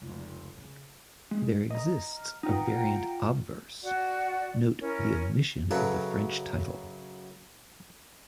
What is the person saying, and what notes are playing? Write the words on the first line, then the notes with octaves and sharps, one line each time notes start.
There exists a variant obverse: - note the omission of the French title.
F1 C#2
C#3
G#3
D#5 A#5
F6
D#4 F4 B4 F#5 G5 A#5
F4
F#4 D5 F#5
C#4 E4 A#4
F#2 C#3 F#3 A4 B4